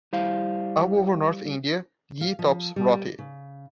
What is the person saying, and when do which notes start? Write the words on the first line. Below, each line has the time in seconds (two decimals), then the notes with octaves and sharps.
All over north India, ghee tops "roti".
0.13 G3 E4 C5 F5
2.21 F5
2.39 F3
2.76 G3
3.19 C#3